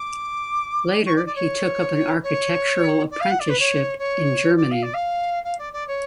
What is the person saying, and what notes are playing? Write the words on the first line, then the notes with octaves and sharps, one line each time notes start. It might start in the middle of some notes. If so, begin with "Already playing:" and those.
Later he took up an architectural apprenticeship in Germany.
Already playing: D6
C#6
D5
D5
C#5
C#5
D5
F5
F#5
D5
B4
C#5
C#5
D5
F5
D5
F5
F5
D5
D5
C#5